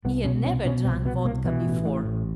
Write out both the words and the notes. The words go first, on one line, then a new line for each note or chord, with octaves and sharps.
He had never drunk vodka before.
C2 B3
B2 C#4
C2 C#4
B2 C#4
C2 C4
B2 B3
C2 A#3
B2 E3
A1
A2
A1